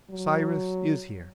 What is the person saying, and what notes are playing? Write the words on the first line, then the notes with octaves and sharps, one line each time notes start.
"Cyrus is here!"
F#3